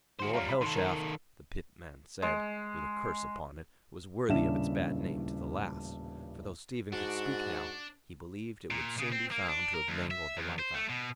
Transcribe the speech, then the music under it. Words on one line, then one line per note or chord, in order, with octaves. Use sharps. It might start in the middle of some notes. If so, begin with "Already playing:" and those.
The Old Hell Shaft, the pitman said, with a curse upon it, was worthy of its bad name to the last; for though Stephen could speak now, he believed it would soon be found to have mangled the life out of him.
F#4 C5
G3 F4 C#5 F5 A#5
B5
D#3 A4 C6
A#4
G#3
D#1 A1 C#3 D4 E5 E7
G#2 D4 F#4
A#2
C#3
C4
A#3
D4
A#4
D2
E5
E2
C5
A3
B2